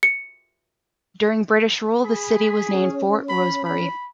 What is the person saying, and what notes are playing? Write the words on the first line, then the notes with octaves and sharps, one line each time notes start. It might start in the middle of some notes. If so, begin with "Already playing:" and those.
During British rule the city was named "Fort Rosebery".
C#7
G#4 B5
C#4
B5
B5